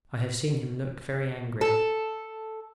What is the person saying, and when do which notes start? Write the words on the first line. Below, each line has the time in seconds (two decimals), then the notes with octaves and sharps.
I have seen him look very angry.
1.61 A4